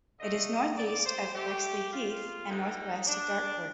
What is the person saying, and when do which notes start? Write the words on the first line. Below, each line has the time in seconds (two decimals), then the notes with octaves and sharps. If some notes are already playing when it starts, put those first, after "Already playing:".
It is northeast of Bexleyheath and northwest of Dartford.
0.20 D3 A3 D#5
0.77 D5
1.06 C5
1.35 D3 A3 G4
1.93 F4
2.50 G2 D3 G3 D#4
3.07 D4